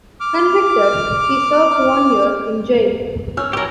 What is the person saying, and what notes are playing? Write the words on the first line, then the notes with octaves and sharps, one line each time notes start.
Convicted, he served one year in jail.
D6 F6
C#4 E6 F6
E3 F#3 G4 A#4